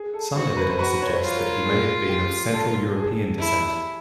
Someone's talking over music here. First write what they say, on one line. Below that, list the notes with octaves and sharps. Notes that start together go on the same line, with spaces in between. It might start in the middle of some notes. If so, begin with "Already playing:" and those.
Some evidence suggests that he may have been of central European descent.
Already playing: G#4
A4
F#4 C5
B4
C5
F#4 B4
C#5
C5
F4
A#4
G#4
G4
A4
G#4
E4